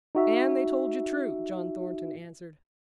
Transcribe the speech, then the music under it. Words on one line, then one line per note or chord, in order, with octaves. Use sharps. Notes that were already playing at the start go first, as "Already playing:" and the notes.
"And they told you true," John Thornton answered.
D#4 F#4 E5